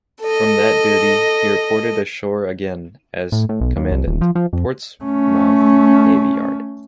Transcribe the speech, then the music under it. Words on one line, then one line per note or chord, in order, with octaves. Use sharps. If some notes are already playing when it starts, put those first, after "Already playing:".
From that duty, he reported ashore again as Commandant, Portsmouth Navy Yard.
A4 D#5
A2
A2
B1
D#2
C2
D#1
F3
F3
F2
A3 C#4